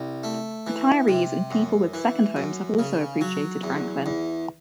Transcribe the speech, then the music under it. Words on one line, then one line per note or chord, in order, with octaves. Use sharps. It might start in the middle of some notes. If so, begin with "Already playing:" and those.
Retirees and people with second homes have also appreciated Franklin.
Already playing: C2
A3
E3
C3
F#2
E3
F#2
C#3
F#3
E2
E2